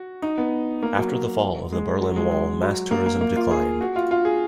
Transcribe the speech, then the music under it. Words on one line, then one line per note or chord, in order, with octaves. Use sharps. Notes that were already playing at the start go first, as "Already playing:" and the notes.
After the fall of the Berlin Wall, mass tourism declined.
Already playing: F#4
D#4
B3
A#3
F#3
G#3
F#3
G#3
G#3
F#3
A#3
A#3
A#3
F4
G#4
F#4
F4
F4
G#4